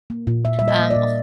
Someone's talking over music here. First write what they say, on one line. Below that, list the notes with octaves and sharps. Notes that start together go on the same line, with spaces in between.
Um, h
A#3
A#2
A#2 E5
G3 E5
D#5
A#3
D5
A#2